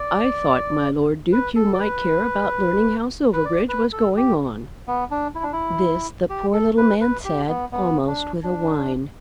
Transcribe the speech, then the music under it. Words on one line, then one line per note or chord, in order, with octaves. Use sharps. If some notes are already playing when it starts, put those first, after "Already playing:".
"I thought, my Lord Duke, you might care about learning how Silverbridge was going on." This the poor little man said almost with a whine.
Already playing: D5
B4
A4
D5
B4
B4
D5
B4
A4
G4
B3
D4
E4
D4
E4
G4
A4
B4
B4
G4
B3
B3
D4
D4